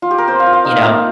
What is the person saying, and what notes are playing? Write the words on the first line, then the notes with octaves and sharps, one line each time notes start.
"you know,
F4
G4
A#4
C4 C5
F5
F4
F5
D#4
A#3 F4